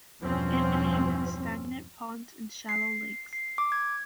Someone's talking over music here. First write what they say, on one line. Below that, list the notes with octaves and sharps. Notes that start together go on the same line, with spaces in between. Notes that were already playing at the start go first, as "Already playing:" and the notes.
It inhabits stagnant ponds and shallow lakes.
E2 G2 B2 F3 C4 C#4
C7
C7
D6
G#6